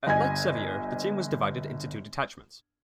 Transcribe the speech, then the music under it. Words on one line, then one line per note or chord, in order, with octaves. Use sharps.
At Lake Sevier, the team was divided into two detachments.
G1 D#5 G#5 G#6